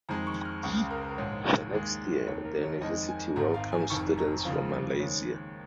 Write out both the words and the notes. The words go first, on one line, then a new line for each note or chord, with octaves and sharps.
The next year, the university welcomed students from Malaysia.
F2 D#3 G#3 A#5
C#6
F6
C#2 C#3 G#3 C#6
A#4
A#1 G#2 D#3 G#3 C#5
D#2 D#3 G#3
F1 D#2 D#3 C#5
A#4
C#5
F2 D#3 G#3 D#5
G#5
G#1 G#2 D#3 A#5
F5
G#5
F1 F2 D#3 C#6
A#5
D#2 C#3 F3 F5
D#2 D#3 G#3 C#5